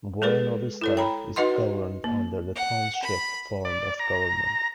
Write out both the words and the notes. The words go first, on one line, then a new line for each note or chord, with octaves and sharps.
Buena Vista is governed under the Township form of government.
G#3 G#4 A4 B4
E4 A4 C#5
G5 A#5 B5
D#4 F#4 B4 D#5 F#5 C6
A#3
F#5
B5
D5
A#5